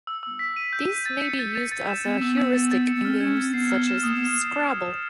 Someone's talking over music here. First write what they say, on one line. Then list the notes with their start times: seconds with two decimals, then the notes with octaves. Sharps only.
This may be used as a heuristic in games such as "Scrabble".
0.07 E6
0.23 E6
0.39 B6
0.56 D#7
0.73 G6
0.89 D#7
1.06 A6
1.22 C#7
1.39 A6
1.55 A6
1.72 A6
1.88 E7
2.05 B3 A6
2.14 C4
2.22 B3 E6
2.37 E6
2.54 A6
2.71 A6
2.88 C#7
2.95 B3
3.04 C4 F6
3.20 C#4 G#6
3.37 C4 G#6
3.53 B3 C7
3.71 F6
3.87 E7
4.03 A#3 D#6
4.15 B3